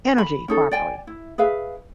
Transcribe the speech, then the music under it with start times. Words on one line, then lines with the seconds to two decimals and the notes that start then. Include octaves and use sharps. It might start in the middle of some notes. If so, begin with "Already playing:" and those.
energy properly.
0.18 B5
0.48 C#4 D#4 A4
0.71 D5 G5 G#5
1.07 E4
1.38 G#4 B4 E5 F5